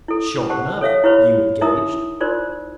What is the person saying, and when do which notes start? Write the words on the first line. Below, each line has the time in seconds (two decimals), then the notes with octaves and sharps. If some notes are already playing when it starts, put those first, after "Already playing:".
"Sure enough, you engaged?"
0.08 E4 A4
0.50 G4 C5 F#5 A5
0.81 A4 C#5 E5 F5
1.04 E4 G4 B4 C#5 A#5 B5
1.61 D#4 E4 A#4 E5 A#5 D#6
2.20 D#4 F4 A#4 C5 D5 C6